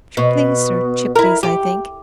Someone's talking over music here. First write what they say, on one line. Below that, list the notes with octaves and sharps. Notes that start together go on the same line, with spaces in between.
Tripley's or Chipley's, I think.
B2
E4 A#4
G4